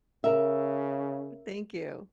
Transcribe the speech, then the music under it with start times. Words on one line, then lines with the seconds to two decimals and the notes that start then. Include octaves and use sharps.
Thank you.
0.24 C#3 A#4 E5